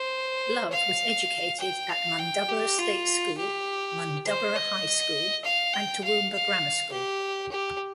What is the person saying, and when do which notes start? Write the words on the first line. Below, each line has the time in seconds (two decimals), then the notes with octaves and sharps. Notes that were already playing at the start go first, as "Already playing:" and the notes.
Love was educated at Mundubbera State School, Mundubbera High School and Toowoomba Grammar School.
Already playing: C5
0.71 F5
1.60 G5
1.89 F5
2.19 G5
2.49 G4
2.79 F4
3.37 G4
4.27 C5
4.56 D#5
5.44 F5
5.74 G5
6.04 F5
6.33 F5
6.92 G4
7.51 G4